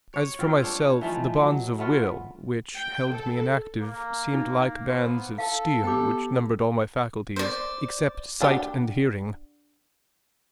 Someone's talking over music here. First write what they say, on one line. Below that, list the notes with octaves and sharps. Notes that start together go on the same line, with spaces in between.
As for myself, the bonds of will which held me inactive seemed like bands of steel which numbed all my faculties, except sight and hearing.
C#5
C4 F4
D4 C5 C#5
E3 F3 A3 D#4
F#3
A3 B3 F4 F#4
G5
A4
A#3
D#4
B3 C5
A4 F5 A5
B3 G4 A4 G5 D6
C5 D5
D4 F#4 G4